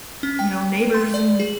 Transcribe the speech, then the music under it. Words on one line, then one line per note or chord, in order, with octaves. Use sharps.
you know, neighbors and
C#4
G5
C6
D5
G#4